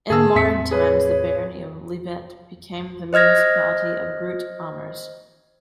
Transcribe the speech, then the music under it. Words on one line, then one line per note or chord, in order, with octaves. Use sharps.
In modern times the barony of Liesvelt became the municipality of Groot-Ammers.
G#2 D3 G#4 A5 E6
E2 A2 C4 E5 B6 C#7
G#4 B4 C#5
C5 D#5 F6 G#6 A#6